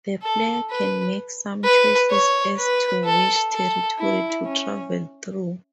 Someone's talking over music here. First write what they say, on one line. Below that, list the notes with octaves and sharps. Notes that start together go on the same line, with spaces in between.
The player can make some choices as to which territory to travel through.
A4
B4
B4
C#5
B4
A4
A4
E4
C#4